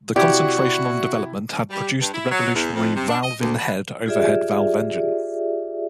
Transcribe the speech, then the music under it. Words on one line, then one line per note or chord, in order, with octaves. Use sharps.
The concentration on development had produced the revolutionary "Valve-in-Head" overhead valve engine.
C3 E4 F#4 G4 D5 G#6
G3
G2
E4
F#3
E2
F2
C3
D4
D#5
D2
B4
F4 G4 G#4 D5 E5